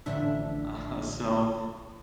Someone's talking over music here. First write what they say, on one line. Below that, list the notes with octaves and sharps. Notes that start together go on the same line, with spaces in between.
Aha, so,
A1 A2 D3 F3 D4 E5